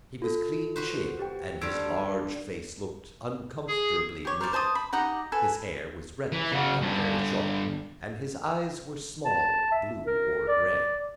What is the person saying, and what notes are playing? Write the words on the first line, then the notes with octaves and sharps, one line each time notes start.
He was clean shaven, and his large face looked uncomfortably naked. His hair was reddish, cut very short, and his eyes were small, blue or grey.
F4 A4
F#4 B4 C5
G4 G5
G2 D3 G3 E6 G#6 D7
G#4
G4 C#5
A#4 C5 D5
C5 A5 A#5 D#6
B5
D#4 G4 F#5 A#5
A4 B4 G#5
E3
C#3 F#4
G2 D3
A5
E5
A#4
D5